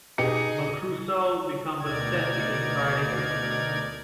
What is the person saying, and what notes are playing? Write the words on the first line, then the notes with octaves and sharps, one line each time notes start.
But Crusoe becomes upset because Friday was his friend.
B2 D#4 G4 G#4 A#5 C#7
D2 B2 D#4 A#4 D5 G#6